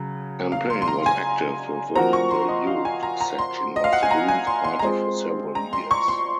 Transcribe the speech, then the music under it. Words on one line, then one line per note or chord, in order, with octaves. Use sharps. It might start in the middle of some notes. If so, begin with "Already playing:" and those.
Empain was active within the youth section of The Greens party for several years.
Already playing: C#3 F#3
F5
C6
C6
A#5
G#5
F3 C4 F#4 A#4 A#5
C#6
C6
D#5
F5
G#5
A#5
A#5
C6
D#5
F5
F#5
G#5
A#5
G#5
C6
C6
A#5
G#3 C4 F4 G#4 C6
A#5
C6
C#6
C6